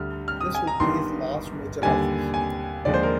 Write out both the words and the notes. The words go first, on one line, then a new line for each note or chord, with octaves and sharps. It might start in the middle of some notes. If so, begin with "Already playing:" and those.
This would be his last major office.
Already playing: D2 D3 G3 F6
F6
D#6
G#5
A#5
G1 G2 D#3 C6
D#2 D3 G3 G#5
G#5
D#2 D3 F3 G#3 D5
C5
A#4